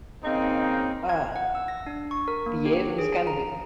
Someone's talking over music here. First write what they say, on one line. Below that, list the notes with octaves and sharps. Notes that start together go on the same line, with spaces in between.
Ah, the Evans Gambit!
C#3 A#3 C4 D#4
G#6
F#5
E6
A#6
D4
C#6
A#4
A#3
G4
G#4
A#5